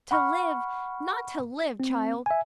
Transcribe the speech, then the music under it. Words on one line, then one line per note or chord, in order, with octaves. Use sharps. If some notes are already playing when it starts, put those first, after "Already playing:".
"To live--not to live, child!"
F#5 B5 C#6 F6
C4
E5 G#5